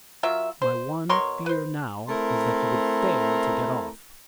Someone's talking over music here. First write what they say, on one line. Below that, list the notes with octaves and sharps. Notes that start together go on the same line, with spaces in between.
My one fear now was that he would fail to get off.
F#3 F4 A#4 E5
C5
B2 A#4 C#5 C6
B4 C5
A3 C4 E4 A#4 A#5 C6